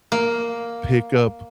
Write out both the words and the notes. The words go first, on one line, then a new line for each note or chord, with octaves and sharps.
pick up
A#3